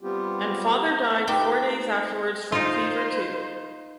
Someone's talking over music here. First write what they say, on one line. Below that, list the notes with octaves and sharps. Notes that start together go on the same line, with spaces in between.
And father died four days afterwards from fever too.
G3 B3 C4 F4 G4
A3 D#4 F4 G4 B4 E5
D#4 F4 C5